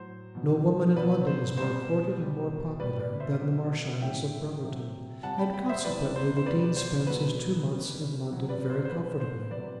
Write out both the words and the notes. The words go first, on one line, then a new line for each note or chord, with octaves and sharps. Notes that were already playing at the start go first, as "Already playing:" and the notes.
No woman in London is more courted and more popular than the Marchioness of Brotherton, and consequently the Dean spends his two months in London very comfortably.
Already playing: A2 F#3 C5
B2 F#3
B2 F#3 B4 D5
C5
B2 G3 C5
B2 G3
B2 G3 B4 D5
B4 D5
C5 E5
B2 F#3
A2 F#3 E5 G5
C3 F#3
C3 G3 F#5 A5
G5 B5
G5 B5
C5 E5
C3 E3 G3 B4 D5
C5
C5
B2 G3 B4 D5
C5
B2 F#3 B4
B2 G3
C3 F#3
B4 D5
C5
C5
B2 F#3 B4
C5
C3 F#3 B4 D5